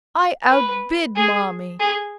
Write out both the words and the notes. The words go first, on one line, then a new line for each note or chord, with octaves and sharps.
I outbid Marmy.
B4
G#4
G#4